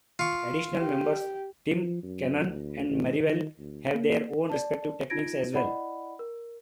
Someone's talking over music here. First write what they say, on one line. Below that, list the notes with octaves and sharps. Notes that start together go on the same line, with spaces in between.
Additional members Tim, Kanon, and Marivel have their own respective techniques as well.
F4 C#6
G4
F3
F#2
D2
A1
D#3
D2
A#3
D5 A5
D#4 F4 G#6 A#6 D7
E4 D5 D#5 F#5 B5
A#4